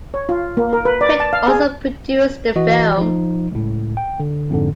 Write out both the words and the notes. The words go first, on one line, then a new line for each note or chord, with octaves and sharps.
Pitt also produced the film.
C#5
F4
A#3
A#4
B4
D5
A5
F5
G#4
E3 F#4 D#5
F3 D#4
C#2 A2
G5
D3
F2 G#2 D3